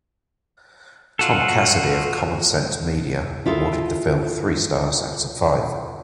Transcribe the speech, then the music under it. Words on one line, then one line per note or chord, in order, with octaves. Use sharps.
Tom Cassidy of Common Sense Media awarded the film three stars out of five.
F4 F#4 A4
E4 F4 G#4 A4